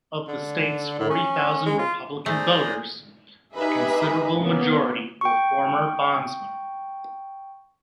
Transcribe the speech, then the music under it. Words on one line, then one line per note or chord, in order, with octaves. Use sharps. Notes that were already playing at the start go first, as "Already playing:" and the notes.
Of the state's forty thousand Republicans voters, a considerable majority were former bondsmen.
D3
A2
C#4
G#3
F4
A3 G#4 C5 D5 A#5
D#4 G4 G#4 B4 E5
C#3 A#3 B3
G5 C#6